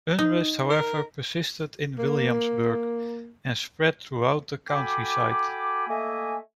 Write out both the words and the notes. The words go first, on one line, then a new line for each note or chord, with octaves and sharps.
Unrest however persisted in Williamsburg and spread throughout the countryside.
D#4
A#4
A#3
F#4 A4 G5 G#5 B5 D6
A3 A#3 D#5 E5 G#5